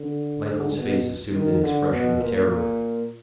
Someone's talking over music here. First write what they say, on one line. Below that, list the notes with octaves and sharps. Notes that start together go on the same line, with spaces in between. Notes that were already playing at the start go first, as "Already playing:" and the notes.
Michael's face assumed an expression of terror.
Already playing: D3
D3
B2
D#3
D3
B2
A#2
A#2